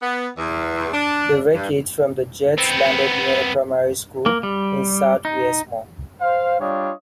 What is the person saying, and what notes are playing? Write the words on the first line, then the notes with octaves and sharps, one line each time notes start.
The wreckage from the jets landed near a primary school in South Wiesmoor.
B3
E2
D4
G2
B3 C4
A#3
G3
D#4
C5 F5
G3 D4 F4 C#5 D#5 F5